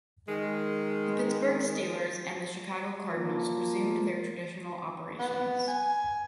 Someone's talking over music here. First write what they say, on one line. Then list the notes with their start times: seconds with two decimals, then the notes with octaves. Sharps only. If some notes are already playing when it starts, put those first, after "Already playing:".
The Pittsburgh Steelers and the Chicago Cardinals resumed their traditional operations.
0.28 D#3 G#3
3.12 F3 A#3
5.19 B3
5.68 G#5